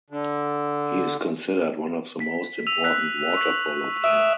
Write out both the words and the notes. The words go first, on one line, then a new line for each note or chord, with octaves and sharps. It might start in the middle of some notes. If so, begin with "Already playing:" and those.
He is considered one of the most important waterpolo player.
D3
B6
E6 D#7 F7
E6 F#6 B6
C#6 F#7
E5 D#6 D7 D#7